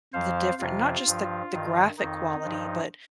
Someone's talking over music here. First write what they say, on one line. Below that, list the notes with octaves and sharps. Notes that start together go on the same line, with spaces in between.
the different not just the g the graphic quality, but
F2 F3 C5 F5
F2 C3 F3 F4
G2 F3
G2 D#3
F2 D#3 D#4
G2 F3